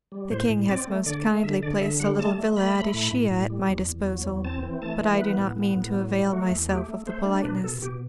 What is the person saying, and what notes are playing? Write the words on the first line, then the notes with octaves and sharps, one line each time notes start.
The King has most kindly placed a little villa at Ischia at my disposal; but I do not mean to avail myself of the politeness.
G3
A2 C5
A2
C4 D5
A3
D3 D5
A3
D3 E5
D3 D5
D3 E5
G3 F#5
A3 A5
A3
A3 B5
A3
A2
A2
A2
G3
E2
E2
F#3
E2
C4 A5
E3
A3 A5
E3
B3 B4
A2
B3
A2
F#3
F#3
A3 F#4
E2
A3 G4
A3
A3 C5
D4
B2 B4
B2 A4
B2 G4